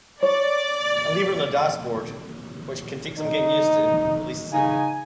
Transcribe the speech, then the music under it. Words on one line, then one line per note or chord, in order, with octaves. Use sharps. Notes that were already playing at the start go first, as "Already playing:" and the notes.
A lever on the dashboard, which can take some getting used to, releases it.
C#5 D5
D#4
C#3 D#4 G#5